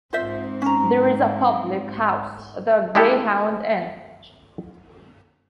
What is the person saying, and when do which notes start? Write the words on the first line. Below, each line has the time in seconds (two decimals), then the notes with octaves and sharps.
There is a public house, The Greyhound Inn.
0.13 G#2 C4 F4 C5 E5
0.62 C#4 A#5
2.95 G#3 D4 E4 G4 A4